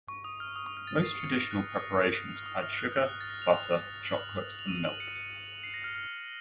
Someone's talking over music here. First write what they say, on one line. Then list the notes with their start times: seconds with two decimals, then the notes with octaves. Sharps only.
Most traditional preparations add sugar, butter, chocolate and milk.
0.08 C#6
0.24 D#6
0.40 F6
0.56 D#6
0.66 C#6
0.77 F6
0.87 A6
1.03 C7
1.20 C#7
1.30 A#6
1.40 A6
1.51 F#6
2.14 D#6
2.36 F6
2.46 D#6
2.62 F6
2.78 F#6
3.09 F#6
3.21 A6
3.30 A#6
3.42 F7
4.05 F#7
4.59 F7
4.68 D#7
4.84 F#7
5.00 C#7
5.15 C#7
5.63 C7
5.74 A#6
5.84 F6
5.95 F6